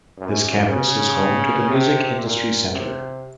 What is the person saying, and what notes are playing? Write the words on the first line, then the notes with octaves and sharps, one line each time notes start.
This campus is home to the Music Industry Centre.
F#2
C#3
C3
A#2
C3